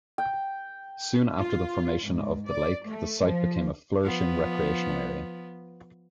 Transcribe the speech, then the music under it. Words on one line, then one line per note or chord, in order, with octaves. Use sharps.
Soon after the formation of the lake, the site became a flourishing recreational area.
G5
F4
G#2
D5
A3
F3
F3 B3